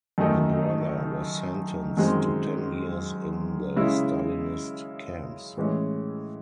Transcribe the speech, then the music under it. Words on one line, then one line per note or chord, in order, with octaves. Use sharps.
The brother was sentenced to ten years in the Stalinist camps.
F#2 D#3 A3 D#4
F#2 D#3 G#3 C4
C#3 G#3 C#4 E4
A2 E3 G#3 C#4